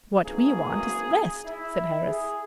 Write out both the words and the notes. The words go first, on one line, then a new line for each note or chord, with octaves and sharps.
"What we want is rest," said Harris.
G#1 F#2 C#3 E3 A#3 G#4
E4
G#4